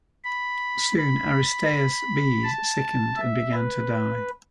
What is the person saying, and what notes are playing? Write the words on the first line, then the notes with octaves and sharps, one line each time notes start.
Soon Aristaeus' bees sickened and began to die.
B5
B5
A5
E5
B4